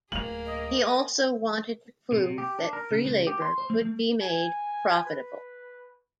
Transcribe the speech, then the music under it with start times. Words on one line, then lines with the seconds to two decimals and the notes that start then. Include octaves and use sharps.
He also wanted to prove that free labour could be made profitable.
0.12 D1 A#3 C#4 G#4 F7 F#7
0.46 D#5
2.12 C3
2.25 C3
2.38 G4
2.59 D4
2.73 A#4
2.91 C#3
3.05 C#2
3.27 G4
3.42 C6
3.58 C5
3.70 A3
3.82 A3
4.21 G#5
5.05 B4